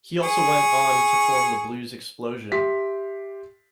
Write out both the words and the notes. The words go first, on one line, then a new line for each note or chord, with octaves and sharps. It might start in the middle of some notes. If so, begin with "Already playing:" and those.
He also went on to form the Blues Explosion.
G#4 C#6
G4 E5 C6 B6